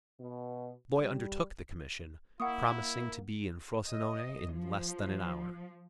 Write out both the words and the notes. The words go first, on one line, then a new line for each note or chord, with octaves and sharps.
The boy undertook the commission, promising to be in Frosinone in less than an hour.
B2
G3
A#3 E4 F#5 C#6 D#6
D#5
F3